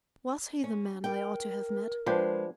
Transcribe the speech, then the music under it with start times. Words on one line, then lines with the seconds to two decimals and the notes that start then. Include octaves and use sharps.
Was he the man I ought to have met?
0.64 C#4
1.04 A#4 G5
2.06 F3 G#3 D4 B4 C5 G5